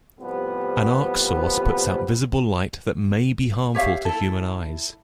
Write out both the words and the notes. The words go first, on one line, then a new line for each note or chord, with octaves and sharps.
An arc source puts out visible light that may be harmful to human eyes.
A2 C3 F3 G3 B3
G4 C#5 E5 F5
E4 A4